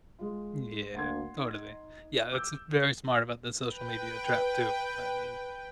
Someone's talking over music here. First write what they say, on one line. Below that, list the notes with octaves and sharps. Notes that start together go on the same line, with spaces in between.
Yeah, totally, yeah that's, uh, very smart about the social media trap, too. I mean,
G#3 F4
D2 A#3 F#5 C6 G#6
D#4
D6 E6 G6
B4 G5